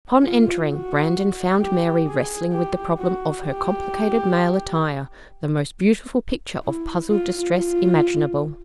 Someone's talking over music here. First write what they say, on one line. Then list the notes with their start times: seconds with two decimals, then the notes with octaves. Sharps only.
Upon entering, Brandon found Mary wrestling with the problem of her complicated male attire; the most beautiful picture of puzzled distress imaginable.
0.23 F4
0.69 F#4
1.61 G4
2.07 G#4
2.52 G4
2.98 F#4
3.44 G4
6.64 E4
7.10 F4
7.56 F4